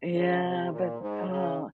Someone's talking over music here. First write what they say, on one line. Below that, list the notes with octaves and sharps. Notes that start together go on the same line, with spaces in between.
Yeah, but, aw
C#3
C3
A#2
G#2
C#3